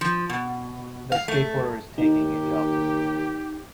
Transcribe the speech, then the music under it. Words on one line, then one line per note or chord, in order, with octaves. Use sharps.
The skateboarder is taking a jump.
F3
B2
F5
A3
D#2 D#4 G4